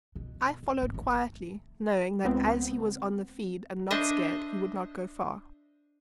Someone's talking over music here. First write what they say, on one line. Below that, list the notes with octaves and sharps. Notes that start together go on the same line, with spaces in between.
I followed quietly, knowing that as he was on the feed and not scared he would not go far.
B2
E2
G#1
A3
C#2 B3 C4
D4 C5 D#5 E5